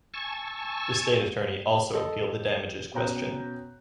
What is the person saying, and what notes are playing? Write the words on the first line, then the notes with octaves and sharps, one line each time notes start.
The state attorney also appealed the damages question.
G#5 A5 C#6 E6
A4 D#5
B2 C#4 G5 A#5 F#6